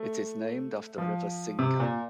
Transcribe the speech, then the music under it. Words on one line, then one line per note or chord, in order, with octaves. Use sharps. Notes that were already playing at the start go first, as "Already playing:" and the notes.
It is named after river Cinca.
Already playing: A3
F3
C3
A#2